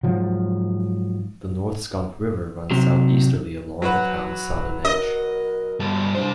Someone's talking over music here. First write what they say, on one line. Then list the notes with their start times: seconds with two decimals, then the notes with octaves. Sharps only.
The North Skunk River runs southeasterly along the town's southern edge.
0.04 G#2 F3 F#3
2.71 C3 F#3
3.82 F#3 F#4 B4
4.85 A#4 D#5
5.80 G2 A4
6.15 G3 D4 C5